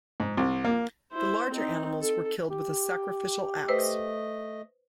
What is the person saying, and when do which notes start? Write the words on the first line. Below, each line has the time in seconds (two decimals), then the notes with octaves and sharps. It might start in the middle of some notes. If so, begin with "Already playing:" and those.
The larger animals were killed with a sacrificial axe.
0.20 G#2
0.37 C2
0.65 A#3
1.12 E4 C5
1.50 C4 D#4
2.00 A4
2.50 G4
3.68 A3 B4 C5 D#5 E6